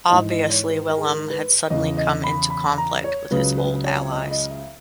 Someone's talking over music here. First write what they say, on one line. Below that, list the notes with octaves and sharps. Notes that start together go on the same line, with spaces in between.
Obviously Willem had suddenly come into conflict with his old allies.
G#2 E3 D#5
D#5
C#5
B4
A#4
G#4
A#4
B4
E2 C#3 E3 D#5
D#5
B5
B5
A#5
C#5
C#2 C#3 F#3 B4
B4
C#5
D#5
D#5
E5